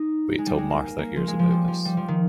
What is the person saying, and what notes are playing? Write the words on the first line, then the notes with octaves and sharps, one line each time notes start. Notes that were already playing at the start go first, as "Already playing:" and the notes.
Wait till Martha hears about this.
Already playing: D#4
G#3
G3
G#3
A#3
A#3
F3
G#3
F3
G3
F3
G3
F3
D#3